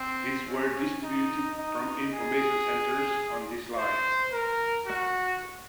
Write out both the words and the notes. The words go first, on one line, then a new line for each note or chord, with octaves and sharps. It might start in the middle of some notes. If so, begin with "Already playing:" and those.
These were distributed from information centers on this line.
Already playing: C4
C#4
D#4
D#4
G#4
C5
A#4
F#4